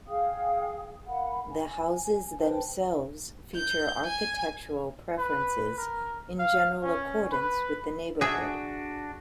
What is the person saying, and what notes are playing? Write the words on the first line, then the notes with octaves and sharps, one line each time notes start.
The houses themselves feature architectural preferences in general accordance with the neighborhood.
G#4 F5 G5 D#6
A#4 F5 F#5 B5
G#5
B4 C5 G5 A5
G6
G#5
B4
A#4
F5
C#4
B4
D4 F#4 G#4 E5